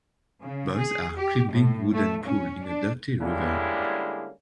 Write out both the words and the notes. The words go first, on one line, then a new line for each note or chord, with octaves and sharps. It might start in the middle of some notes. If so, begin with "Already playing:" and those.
Boys are climbing wooden poles in a dirty river.
C#3
G#4
G4
A2
A3
C#4
D4
D3 G3 G#3 A#3 C#4 E4